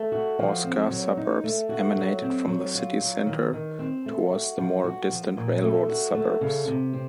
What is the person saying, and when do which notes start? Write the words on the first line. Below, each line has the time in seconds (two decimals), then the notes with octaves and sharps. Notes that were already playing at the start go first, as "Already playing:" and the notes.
Horsecar suburbs emanated from the city center towards the more distant railroad suburbs.
Already playing: A3
0.12 F#4
0.39 F3
0.64 C4
0.91 F#3
1.17 D#4
1.44 A3
1.69 F#4
1.96 F#3
2.22 C4
2.48 F#3
2.75 F4
3.01 F#3
3.26 D#3
3.53 D#3
3.79 C4
4.06 A3
4.31 F#4
4.58 F3
4.84 F#4
5.10 F3
5.37 A#2
5.63 A3
5.89 F#4
6.14 A3
6.41 C#3
6.68 C3
6.93 C4